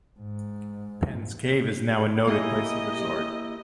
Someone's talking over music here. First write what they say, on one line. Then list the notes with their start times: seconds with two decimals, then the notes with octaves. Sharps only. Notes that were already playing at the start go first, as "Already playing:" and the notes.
Penns Cave is now a noted place of resort.
0.20 G#2
2.28 A#3 E4 G4 D#5 G#5